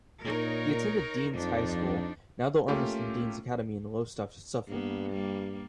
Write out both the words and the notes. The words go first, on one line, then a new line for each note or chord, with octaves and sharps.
He attended Denes High School, now the Ormiston Denes Academy in Lowestoft, Suffolk.
A#2 D#4 A#4 C#5
F2 F3 D4 D#4
A3 A#3 C#4 F4 G4
G2 A#3 B3
G3 A#3